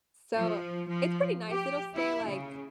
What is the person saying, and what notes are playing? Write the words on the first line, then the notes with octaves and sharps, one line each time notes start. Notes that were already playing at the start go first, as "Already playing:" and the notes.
so, it's pretty nice. It'll stay, like
F3
F3
G4
E4
C#3